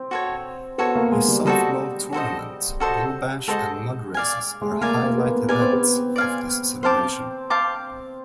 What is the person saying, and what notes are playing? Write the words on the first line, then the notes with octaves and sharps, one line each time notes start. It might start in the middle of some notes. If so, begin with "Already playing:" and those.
A softball tournament, bull bash and mud races are highlight events of this celebration.
Already playing: C4
F#4 A4 C#5
B3 F#4 A4 C#5
A#3
G#3
G3
G3 F#4 A4 C5 D#5
F#4 A4 C5 D#5
F#4 A4 C5 D#5
G#3 F#4 A4 C5 D#5
D5 F5 G#5
G#3
A3
A#3 D5 F5 G#5
A#3
B3
A#3
B3 D5 F5 G#5
C4
B3
D5 F5 G#5
C4 C5 F5 A5 D6
C5 F5 A5 D6